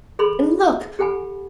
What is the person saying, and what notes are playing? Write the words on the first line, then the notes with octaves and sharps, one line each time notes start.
And look!
G#4 A4 B5 C6
G4 A4 F#5 G#5 B5